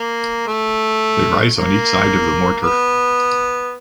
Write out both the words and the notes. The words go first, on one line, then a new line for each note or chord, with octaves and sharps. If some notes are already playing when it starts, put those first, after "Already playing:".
They rise on each side of the mortar.
Already playing: A#3
A3
A#3
B3